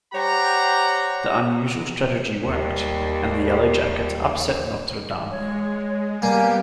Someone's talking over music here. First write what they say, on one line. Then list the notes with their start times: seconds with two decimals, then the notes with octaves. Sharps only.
The unusual strategy worked, and the Yellow Jackets upset Notre Dame.
0.14 G3 G4 C5 C#5 F#5 A#5
2.44 D#2 G3
5.32 G#3 C#5
6.22 G3 A#3 B3 G4 G#5